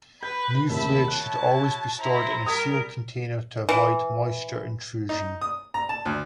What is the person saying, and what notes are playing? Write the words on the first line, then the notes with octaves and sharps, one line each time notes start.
New fluid should always be stored in a sealed container to avoid moisture intrusion.
B4 G6
D#2 A2 C3 E5 A5 B5
E4 F#4 C#5 F#6
E4 C5 A#5
G3 A#4 D#6 G#6 B6
E3
D#4
D#6
A#5
A5
D2